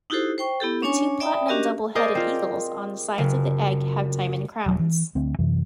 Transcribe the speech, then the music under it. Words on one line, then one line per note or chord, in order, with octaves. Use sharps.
The two platinum double-headed eagles on the sides of the egg have diamond crowns.
D#4 E4 F#4 G4 A4 C5
C5 G5 C#6
B3 E4 G4 A4
C#4 D4 C#5 G#5 C#6
D5 E5 G5 A5 B5 D#6
C#4 D4 F#4 G4 A#4 D#5
G#4 A#4 C5 D5 D#5
C4 F4
F#1 C#3
E1 F#3
E3
D2 C4
F#2 C3 E3